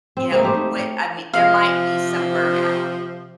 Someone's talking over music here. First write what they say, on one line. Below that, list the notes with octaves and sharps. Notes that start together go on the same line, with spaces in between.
you know, what I mean, there might be some burnout,
C4
G#3 A#3 C4 G#4
A3 G4 C5
D#4
C#5
C3 F3 F5